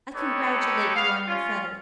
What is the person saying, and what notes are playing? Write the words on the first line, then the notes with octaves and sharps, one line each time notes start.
I congratulate you on your feathers.
D#4 G4 A4 B4 C#5
B3 C#4 F5
C#4 F4